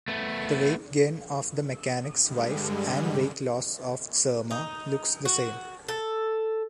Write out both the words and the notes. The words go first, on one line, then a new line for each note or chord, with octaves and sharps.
The weight gain of the mechanic's wife and weight loss of Tsermaa looks the same.
A3 B3
G2 D3 G3 G#3
D#4
F#4
A4